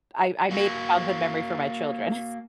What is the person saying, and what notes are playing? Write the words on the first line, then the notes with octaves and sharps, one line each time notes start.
I I made a childhood memory for my children.
A#3 F#4